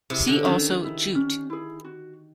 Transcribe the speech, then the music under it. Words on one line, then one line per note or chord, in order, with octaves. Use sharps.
See also Jute.
C3 E4 G#4
D3
D#3 C#4
E4 G#4
C#4
E4 G#4
F#4